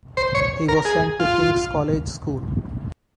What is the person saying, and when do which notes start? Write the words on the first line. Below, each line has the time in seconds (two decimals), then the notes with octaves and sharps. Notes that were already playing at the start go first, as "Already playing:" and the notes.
He was sent to King's College School.
0.17 C5
0.35 C#5
0.69 A#4
0.85 G#4
1.20 F4